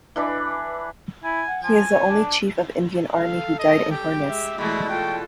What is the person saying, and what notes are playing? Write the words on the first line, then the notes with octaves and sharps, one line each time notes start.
He is the only Chief of Indian Army who died in harness.
E3 D4 B4
E4 G#5
F#5
F3 G#5
C#5
D4
A4 F5
D#5
G4 G5
G#3 E5
E2 B2 G#3 A3 E4
F4 A4 G5